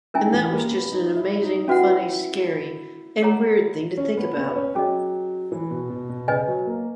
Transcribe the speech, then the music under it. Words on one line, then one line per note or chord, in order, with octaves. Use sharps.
And that was just an amazing, funny, scary and weird thing to think about.
D#3 C#4 E4 A#4 E5 G#5
E3
A#3
B3
D#4
E4
D#4
C#4 E4 F#4 B4 F#5
G#4 C#5 F#5 A#5
C#4
B3
B3
C#4
F#3 C#4 G#4 D#5
E3
B2
B2
B2
C#3 B4 D#5 G#5
F#3
A#3